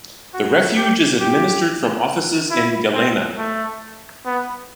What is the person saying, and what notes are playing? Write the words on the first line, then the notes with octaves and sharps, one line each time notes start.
The refuge is administered from offices in Galena.
F#4
G4
G4
E4
C4
A3
B3